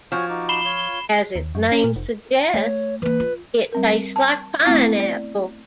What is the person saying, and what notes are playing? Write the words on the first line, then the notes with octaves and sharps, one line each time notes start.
As its name suggests, it tastes like pineapple.
F3 F#4 C#5 G#5
D#4 F#4 D6
B5 C7 E7 G7
F4 C#5
D#2
F#2
C#4
A#2
F1
A3 C#5
E3 A#3 B4
F4
G3 C4 A#4
A5
A3 B3 C4 E4
D5